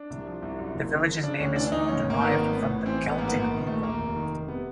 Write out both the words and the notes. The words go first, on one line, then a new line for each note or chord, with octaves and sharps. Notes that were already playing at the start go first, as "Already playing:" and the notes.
The village's name is derived from the Celtic people.
Already playing: D4
C2
F3
C2
F#2
F#1
C#3
F3
C#3 D4
D2 C#4
E3 D4
D4
D2 D#4
G#2 C#4
G#1
A#3
D#3 B3
A#3
G#1
A2 B3
A1
E3 C4
A1
B3
G#2 A#3
B3
A#1 A#3
D#3 B3
A#1 A3
D#2 A#3
F1
D#3
F1
C3 B3